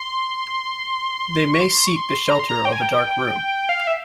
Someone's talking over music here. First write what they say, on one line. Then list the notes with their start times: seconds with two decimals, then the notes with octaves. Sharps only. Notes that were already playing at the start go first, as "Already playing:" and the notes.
They may seek the shelter of a dark room.
Already playing: C6
1.54 C#6
1.61 C6
1.87 C#6
1.96 C6
2.30 A#5
2.39 C6
2.49 A#5
2.65 G5
2.72 G#5
2.81 G5
3.69 F5
3.87 E5